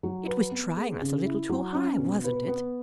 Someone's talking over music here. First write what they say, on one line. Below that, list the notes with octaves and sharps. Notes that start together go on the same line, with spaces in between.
It was trying us a little too high, wasn't it?
F#3
B4
B3
G#4
C#3
E4
F#3
C#4
B2
B4
B3